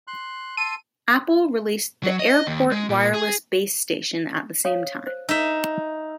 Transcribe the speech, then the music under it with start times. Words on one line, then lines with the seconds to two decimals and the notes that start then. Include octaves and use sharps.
Apple released the AirPort Wireless Base Station at the same time.
0.07 C6 F#6
0.57 A5 C6 E6 D#7
2.03 F#3
2.19 D#5
2.47 D#2
2.72 G#3
2.89 A#2
3.14 G#4
4.65 C#5 F5 D#6
5.07 C5
5.29 D#4 E5 E6